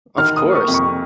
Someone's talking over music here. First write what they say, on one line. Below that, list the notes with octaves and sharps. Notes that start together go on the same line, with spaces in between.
Of course.
D#3 F6
D#6
A#3
C#6
F2
C#6